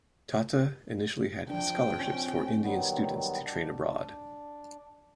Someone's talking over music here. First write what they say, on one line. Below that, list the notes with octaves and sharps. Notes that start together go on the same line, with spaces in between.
Tata initially had scholarships for Indian students to train abroad.
F3 D4 G5
C4 C#4
D#3 F#3 G3 B3
D4